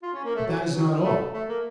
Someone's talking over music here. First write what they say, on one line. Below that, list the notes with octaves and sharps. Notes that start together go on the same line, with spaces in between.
But that is not all.
F4
C#4
A#3
A3
F#3
F#3
A3
A3
A#3